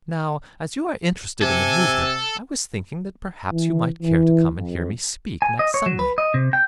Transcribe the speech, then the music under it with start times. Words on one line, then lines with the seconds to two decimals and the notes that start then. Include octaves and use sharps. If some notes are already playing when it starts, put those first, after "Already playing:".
Now, as you are interested in the movement, I was thinking that perhaps you might care to come and hear me speak next Sunday.
1.42 C3 A4 G#5
3.51 E3
4.02 E3
4.55 F2
5.42 G#5
5.59 D#5
5.74 C#5
5.86 F#3
5.99 B4
6.18 D#5
6.34 C3
6.53 G5